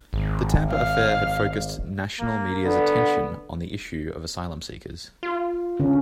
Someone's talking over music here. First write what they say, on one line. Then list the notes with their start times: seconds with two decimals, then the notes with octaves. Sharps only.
The Tampa affair had focused national media's attention on the issue of asylum seekers.
0.13 G#1
0.70 F5
2.20 A#3
2.66 D3 B3
5.23 F4
5.80 D3 C#4